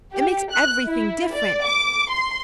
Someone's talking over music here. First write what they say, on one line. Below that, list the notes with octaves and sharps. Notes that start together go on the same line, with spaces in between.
It makes everything different.
G4
F#6
E4
D5
D6
C6